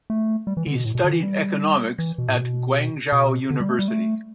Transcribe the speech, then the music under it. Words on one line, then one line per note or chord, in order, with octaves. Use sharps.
He studied economics at Guangzhou University.
A3
G3
E3
D3
B2
A2
B2
D3
E3
G3
E3
B2
A2
B2
B2
D3
G3
A3
G3
A3